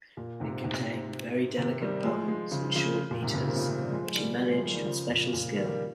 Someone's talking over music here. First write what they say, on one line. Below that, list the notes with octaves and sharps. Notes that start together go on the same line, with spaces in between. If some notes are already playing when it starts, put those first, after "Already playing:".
It contained very delicate poems in short meters, which he managed with special skill.
A#2
G#2 C3
G#2 C3
C3 D#3
D#3 G3
F3 G#3
F3 G#3
C#3 F3
C#3 F3
A#2
G#2 C3
A#2 C#3
C3 D#3
C#3 F3
C#3 F3
D#3 G3
F3 G#3
D#3 G3
F3 G#3
G3 A#3
D#3 G3
C#3 F3
A#2
A#2
D#3 G3
G3 A#3